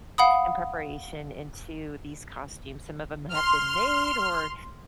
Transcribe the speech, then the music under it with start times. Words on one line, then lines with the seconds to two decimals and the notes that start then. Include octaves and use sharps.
and preparation into these costumes, some of them have been made, or
0.18 F5 F#5 B5 D#6
3.33 C6 F6